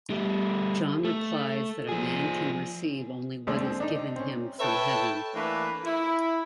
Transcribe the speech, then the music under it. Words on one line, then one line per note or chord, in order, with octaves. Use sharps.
John replies that A man can receive only what is given him from heaven.
G3 A3
A3
F3 G#4
D#2 G#3 A3 C4 D4
C4
D4 D#4
C4 C#4
A4 B4 C#5 E5 G5 A5
E3 A3 A#3 D4 B4
E4